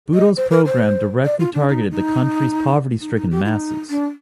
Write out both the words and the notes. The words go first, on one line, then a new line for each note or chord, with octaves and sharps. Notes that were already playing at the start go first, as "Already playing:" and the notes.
Bhutto's program directly targeted the country's poverty-stricken masses.
D#5
C5
A#4
C5
D5
F4
D4
D#4
D#4
D#4
D#4
G4
F4
D#4
D4